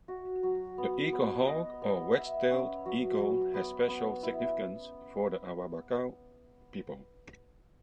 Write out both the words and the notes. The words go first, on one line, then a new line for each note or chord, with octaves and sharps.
The eaglehawk or wedge-tailed eagle has special significance for the Awabakal people.
F#4
F#3
B3
B3
D#5
B3
E5
C#4
F#3
F#3
B3
B3
E4